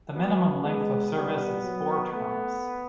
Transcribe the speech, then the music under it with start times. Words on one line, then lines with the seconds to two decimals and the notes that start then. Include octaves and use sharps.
The minimum length of service is four terms.
0.15 F#3 B3
0.64 G#3 B3
1.14 G3 B3
1.63 F#3
2.12 A3 B3